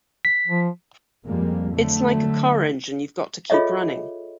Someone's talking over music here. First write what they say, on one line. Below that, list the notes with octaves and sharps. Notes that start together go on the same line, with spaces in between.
It's like a car engine you've got to keep running.
B6
F3
F2 G3 G#3 A#3
D3 F#3 A3
F4 G#4 A4 C#5 D#5 E5